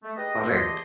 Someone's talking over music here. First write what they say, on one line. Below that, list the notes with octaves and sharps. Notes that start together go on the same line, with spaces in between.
I was like
A3
G4 G#4 B4 D#5
C#3 A3 A#3 C4 D4
E2 E3 G4 D#5 A5 C6